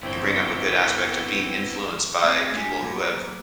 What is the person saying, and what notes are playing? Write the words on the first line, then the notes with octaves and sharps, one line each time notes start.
you bring up a good aspect of being influenced by people who have
G1 B3 C4 E4 C5 G5
A3 C4 G#4 D5
D4 F4 G4 G#5
F#3 A#3 B3